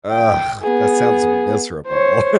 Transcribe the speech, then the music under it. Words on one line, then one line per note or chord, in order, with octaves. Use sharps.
Ugh! That sounds miserable.
G5
B3 G#4
C5 C#5